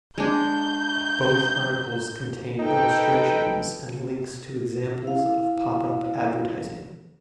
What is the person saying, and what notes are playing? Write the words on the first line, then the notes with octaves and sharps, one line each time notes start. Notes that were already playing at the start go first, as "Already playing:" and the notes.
Both articles contain illustrations and links to examples of pop-up advertising.
G#3 D4 G6
D#4 A4 B4 G5
E4 F5